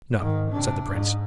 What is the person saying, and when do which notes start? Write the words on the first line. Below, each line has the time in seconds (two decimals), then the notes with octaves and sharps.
'No,' said the Prince.
0.19 G#2 D#3
0.50 C3 D4
0.90 G#2